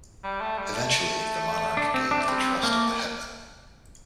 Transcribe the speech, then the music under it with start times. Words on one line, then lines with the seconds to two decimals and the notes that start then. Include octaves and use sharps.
Eventually the monarch gained the trust of the Hetman.
0.24 G3
0.41 A3
0.58 G3
0.75 A3
1.77 D4
1.94 C4
2.11 D4
2.18 A3
2.28 G3 C4
2.63 A3 A#3